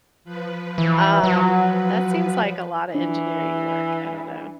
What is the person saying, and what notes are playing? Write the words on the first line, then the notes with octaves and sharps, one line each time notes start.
um, that seems like a lotta engineering work. I don't know.
F3 B4
E3
F#3
E3 D4